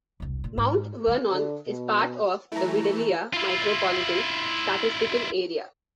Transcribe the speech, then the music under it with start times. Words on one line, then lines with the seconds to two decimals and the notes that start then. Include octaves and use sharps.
Mount Vernon is part of the Vidalia Micropolitan Statistical Area.
0.20 E1 C2
0.44 A#2
0.58 G#2
1.07 D3 G#3
1.32 D3
1.67 B2
2.52 E3 A3 E4 A#5
3.33 E4 F4